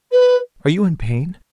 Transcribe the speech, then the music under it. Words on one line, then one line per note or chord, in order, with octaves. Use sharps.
"Are you in pain?"
B4